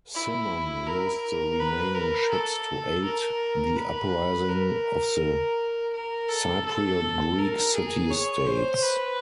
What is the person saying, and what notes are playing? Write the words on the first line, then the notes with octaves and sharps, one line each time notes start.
Cimon used the remaining ships to aid the uprising of the Cypriot Greek city-states.
E4
A#4
B4
A#4
A4
A#4
B4
A#4
A#4
A4
A4
A#4
G#4
C#5
C5
B4